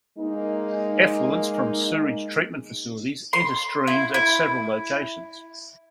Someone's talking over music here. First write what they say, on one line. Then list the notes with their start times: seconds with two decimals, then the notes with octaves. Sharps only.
Effluents from sewage treatment facilities enter streams at several locations.
0.18 G#3 A#3 D#4
3.33 C6
3.87 E4
4.14 E4